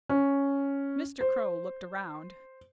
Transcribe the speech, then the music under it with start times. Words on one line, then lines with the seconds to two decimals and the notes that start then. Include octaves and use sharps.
Mr. Crow looked around.
0.09 C#4
1.21 C5